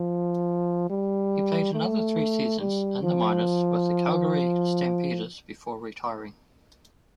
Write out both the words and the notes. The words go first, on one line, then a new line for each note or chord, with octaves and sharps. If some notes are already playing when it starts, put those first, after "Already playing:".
He played another three seasons in the minors with the Calgary Stampeders before retiring.
Already playing: F3
G3
A3
G3
F3